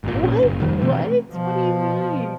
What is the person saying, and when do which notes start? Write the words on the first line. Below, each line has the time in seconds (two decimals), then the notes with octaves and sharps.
What? What? What do you mean?
0.04 G#1 A#2
0.23 A#1 A#2 C#4
0.43 F#1
0.61 F2 D#3 F3 G3
0.82 B2 E3 A3 C4
1.33 B2 F3